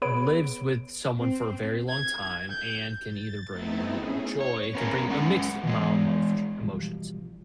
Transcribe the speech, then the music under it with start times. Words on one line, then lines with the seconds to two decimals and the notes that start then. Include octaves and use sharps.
lives with someone for a very long time and can either bring, you know, joy it can bring a mixed amount of sh emotions.
0.02 B3 G#4 B4 C#5 B5 D7
1.16 C4
1.89 G#6
2.50 G6
3.06 A6
3.50 A3 B3 C4 D#4 E4
3.89 C#4 G#4
4.40 C#5
4.75 B3 C#4 G#4 A#4
5.08 G#3 C#4 F#5
5.63 E3 G#3
6.62 B2 E3 F3 G3